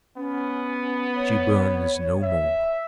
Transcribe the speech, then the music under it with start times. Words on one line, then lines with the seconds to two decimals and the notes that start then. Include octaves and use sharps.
"She burns no more."
0.17 B3 C#4
1.15 C#5
2.23 E5